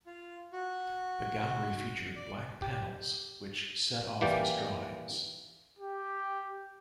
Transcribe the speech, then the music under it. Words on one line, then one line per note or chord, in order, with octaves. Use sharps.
The gallery featured black panels which set off his drawings.
F4
F#4
D5
G4
E3 A#3 G4 D5 G5
G4